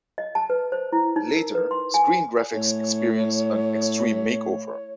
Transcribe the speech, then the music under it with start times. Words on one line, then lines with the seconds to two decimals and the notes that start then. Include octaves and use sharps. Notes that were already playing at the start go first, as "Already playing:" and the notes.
Later, screen graphics experienced an extreme makeover.
0.18 D#5
0.35 A5
0.50 B4
0.72 C5
0.93 E4
1.16 D#4
1.37 A#4
1.55 B4
1.71 C6
1.94 G#5
2.53 A2 C#5